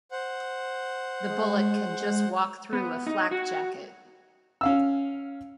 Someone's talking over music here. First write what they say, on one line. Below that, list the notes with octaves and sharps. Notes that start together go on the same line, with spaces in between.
The bullet can just walk through a flak jacket.
C5 F#5
G#3
B3
D#4
F#4
C#4 F5 E6